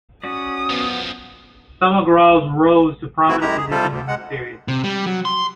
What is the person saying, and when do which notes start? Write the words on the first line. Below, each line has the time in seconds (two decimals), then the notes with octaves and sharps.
Some Agrawals rose to prominent positions in this period.
0.24 C#4 F#4 D5 D#6
0.70 F#2 F3 B3
3.28 E3 A3 C4 E4 F#4
3.41 F#2 G#3 E4 G4 A#5
3.57 G#4
3.71 C3 G3 F4 A4 C5
3.89 D2
4.08 G#3 F#5
4.68 C3
4.84 G3
5.06 F#3
5.25 C6